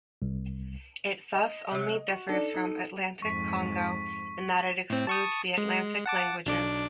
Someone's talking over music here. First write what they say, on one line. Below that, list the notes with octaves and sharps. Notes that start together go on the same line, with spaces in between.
It thus only differs from Atlantic-Congo in that it excludes the Atlantic languages.
C2
D#5
C3 F#3
F#4
D4 D#4 A4 D5
D#4
F2 G#2 C#6 B6
A2 C4
A5 C#6 D#6
G#3
F#5 A5 D6
B1 D4 D6